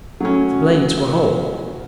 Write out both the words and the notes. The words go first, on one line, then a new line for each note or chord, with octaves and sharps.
The blades were whole.
F#3 A3 C#4